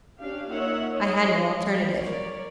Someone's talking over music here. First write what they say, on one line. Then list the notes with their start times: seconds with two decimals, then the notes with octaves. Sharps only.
I had no alternative.
0.18 C#4 D4 G4 F5
0.50 A#3 D#4 F4 C#5 E5 F#5
0.88 C#5 D#5
1.54 G4
1.97 A#4 C#5 D5